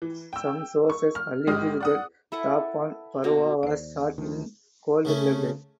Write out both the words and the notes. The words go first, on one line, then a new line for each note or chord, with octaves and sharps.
Some sources alleged that Tapan Baruah was shot in cold blood.
E3
G5 E6
C#6
F6
G#1 G#3 G4 D#6 F6
D5 F#5 D#6
E4 A4 B4 F#5
B2 A#3 F#4
D#2 C5 D5
D2 D#3 F3
C#3 A3 C#4